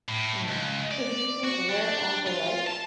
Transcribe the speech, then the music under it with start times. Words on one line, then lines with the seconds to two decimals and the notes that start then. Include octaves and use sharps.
Mm. So, do you think we're on the right?
0.08 A2
0.48 C#2
0.91 D5
1.44 F#4
1.68 D4
2.26 F4
2.67 A5